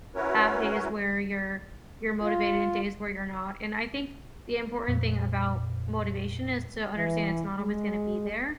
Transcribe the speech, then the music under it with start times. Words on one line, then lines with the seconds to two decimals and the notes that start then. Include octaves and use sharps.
have days where you're you're motivated and days where you're not, and I think the important thing about motivation, is to understand it's not always gonna be there,
0.15 C#4 E4 F#4 A#4 B4 C#5
2.21 F4
4.88 F2 A#2
6.97 E3
7.58 G#3